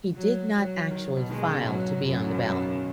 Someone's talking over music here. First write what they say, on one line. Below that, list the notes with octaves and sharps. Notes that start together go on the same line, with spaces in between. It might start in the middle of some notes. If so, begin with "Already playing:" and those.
He did not actually file to be on the ballot.
F#3
F#3
D#3
B2
D#3 G#3
C#3
B2
G#2 F#3
F#2
F#3
D#3
C#3
B2
C#3
D#3